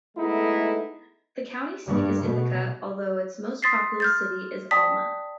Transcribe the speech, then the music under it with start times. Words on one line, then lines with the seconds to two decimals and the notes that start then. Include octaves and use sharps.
The county seat is Ithaca, although its most populous city is Alma.
0.17 G#3 A3 B3 D#4 E4 A4
1.87 G2
2.27 B2
3.62 C6 D#6 A6 B6 C7
4.00 F6 G6 A6
4.71 D5 G5 A5 D#6 B6